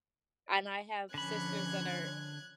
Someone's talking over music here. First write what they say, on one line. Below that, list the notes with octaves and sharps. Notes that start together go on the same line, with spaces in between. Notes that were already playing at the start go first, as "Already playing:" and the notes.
and I have sisters that are
D3 F3 C#4 B5 F#6 G#6